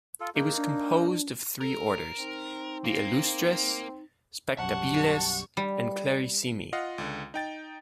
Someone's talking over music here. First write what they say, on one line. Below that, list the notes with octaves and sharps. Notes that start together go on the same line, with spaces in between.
It was composed of three orders, the "illustres", "spectabiles" and "clarissimi".
F4 A4
A#3 D#4 G#4
D4
A4 A#4
C4 D#4
A#3
B1 F#2 G3 F#5 A5 C#6
G3
F4 D#5 F5 F#5
C#2 D3
D#4 G5 A6